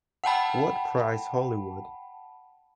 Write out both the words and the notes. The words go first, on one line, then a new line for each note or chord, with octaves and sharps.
What Price Hollywood?
F#5 G5 A5 B5